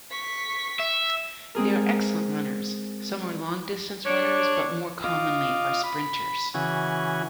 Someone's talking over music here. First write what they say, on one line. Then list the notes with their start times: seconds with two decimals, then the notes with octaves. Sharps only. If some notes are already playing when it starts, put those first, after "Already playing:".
They are excellent runners: some are long-distance runners, but more commonly are sprinters.
0.11 C#6 B6
0.80 E5
1.55 G#3 C4 G#4 A#4
4.05 D4 C#5
5.04 F4 D#5 F5 D6
5.83 B5
6.54 C#3 E3 F#4 G#5